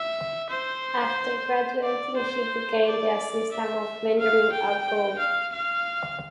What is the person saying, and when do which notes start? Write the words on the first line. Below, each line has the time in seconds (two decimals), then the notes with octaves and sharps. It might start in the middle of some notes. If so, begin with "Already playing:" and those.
After graduating, he became the assistant of Benjamin A. Gould.
Already playing: E5
0.50 C5
1.84 D5
2.17 C5
2.85 D5
3.52 E5
4.19 F5
4.52 G5
5.19 F5
5.53 F5